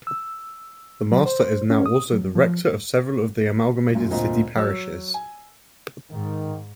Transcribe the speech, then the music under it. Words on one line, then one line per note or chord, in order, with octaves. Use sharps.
The Master is now also the rector of several of the amalgamated city parishes.
E6
F#3
C5
C#4
D#6
F#3
F3
F#2 A#2
D2 A#2 C4 D#5 A#5
F#3 C#5 E6
G#5
G#2 D#3